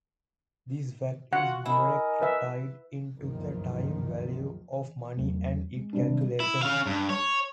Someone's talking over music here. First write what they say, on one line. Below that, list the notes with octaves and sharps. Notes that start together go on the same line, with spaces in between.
This fact is directly tied into the time value of money and its calculations.
F4 F#4 F#5
E4 A#4 D#5 G#5
B4 E5
F#1 C#2 G2 B2 D#3 F3
E2 F#3 A3
G#3
C3 G3 D4
D#3
E4
C#4 F5
G2
C#5